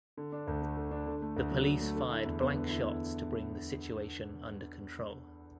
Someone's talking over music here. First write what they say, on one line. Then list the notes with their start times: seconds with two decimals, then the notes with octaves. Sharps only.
The police fired blank shots to bring the situation under control.
0.17 D3
0.32 D4
0.47 D2
0.62 A3
0.77 D3
0.91 D4
1.06 D3
1.22 A3
1.36 D2
1.51 F#3
1.66 D3
1.81 A3
1.96 D3
2.10 E4
2.26 E2
2.40 B3
2.56 D3
2.70 E4